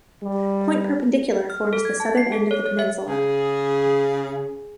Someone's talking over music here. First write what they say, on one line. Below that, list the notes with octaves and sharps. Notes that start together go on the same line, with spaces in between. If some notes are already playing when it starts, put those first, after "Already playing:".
Point Perpendicular forms the southern end of the peninsula.
G3
F6
A4
G#6
A5
C7
A4
C#5
C#5
E5
C#3 G#4